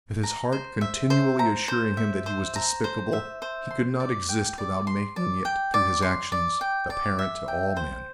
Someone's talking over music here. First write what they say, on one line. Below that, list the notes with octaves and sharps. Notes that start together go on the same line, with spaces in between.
With his heart continually assuring him that he was despicable, he could not exist without making it, through his actions, apparent to all men.
A#5
C5
E5
C5
A#5
C5
E5
C5
A#5
C5
E5
C5
C6
D5
G5
D5
C6
D5
G5
D5
C6
D5
G5
D5
E5
G5
C5